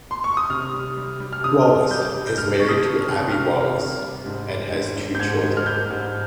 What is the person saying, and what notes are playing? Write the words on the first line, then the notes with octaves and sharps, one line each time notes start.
Wallis is married to Abbi Wallis and has two children.
C6
C#6
D#6
C3 F6
G3
G3
G3
F6
C3 D#6
C3
G3 G6
G3
G6
G3 F6
C3 C#6
D#6
C3
F6
C3
G3 F6
C3
C3
G3
G#2
G3
G#2
G#2
G6
G#2 G#6
G#2
F6
G3 G6
G#2